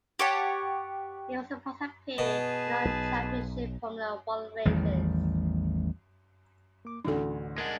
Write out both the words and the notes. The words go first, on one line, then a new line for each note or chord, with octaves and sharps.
He also participated in non-Championship Formula One races.
G4 C#5 F#5 A5
B2 G#4 B4 A5
B1
A1 E2 D#3 G3
A#3 D6
A1 D2 D4 D#4 F#4 A4
G#3 D4 A#4 D#5 F#5